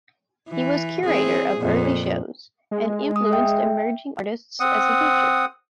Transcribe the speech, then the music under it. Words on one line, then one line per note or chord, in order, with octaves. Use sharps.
He was curator of early shows, and influenced emerging artists as a teacher.
E3
E3 C4 G#4
F2 A#2
G#3
D#6
E5 G5
C4 F#5 D#6